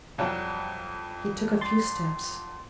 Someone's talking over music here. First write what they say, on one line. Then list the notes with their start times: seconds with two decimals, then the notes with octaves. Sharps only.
He took a few steps.
0.18 F2 F#3 G3
1.61 C6 A6